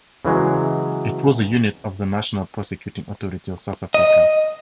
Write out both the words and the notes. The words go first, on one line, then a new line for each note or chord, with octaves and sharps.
It was a unit of The National Prosecuting Authority of South Africa.
C#3 E3 F#3 G#3
D#5